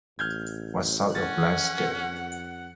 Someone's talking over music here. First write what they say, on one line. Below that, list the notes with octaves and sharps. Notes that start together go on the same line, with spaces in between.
What sort of landscape?
A1 F6 G6 G#6
C#4 F#5 A6
F2